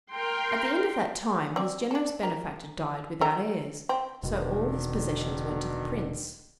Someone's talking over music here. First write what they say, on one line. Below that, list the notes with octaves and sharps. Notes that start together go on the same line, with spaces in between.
At the end of that time his generous benefactor died without heirs, so all his possessions went to the prince.
A#4 G5 C6
C4 D5
D4 A4
A#4
A4 D#5 A#5
C4
E1 B2 D3 D#3